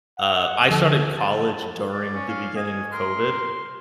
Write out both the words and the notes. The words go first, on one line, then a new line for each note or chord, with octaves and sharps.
Uh, I started college during the beginning of COVID,
F#5
D#2 D3 F3 A4
A5
D5
C#4
F5
D#5 G#5
A#4 C6